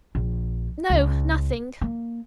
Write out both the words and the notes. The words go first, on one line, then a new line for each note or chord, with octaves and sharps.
'No, nothing.
A#1
C#2
A#3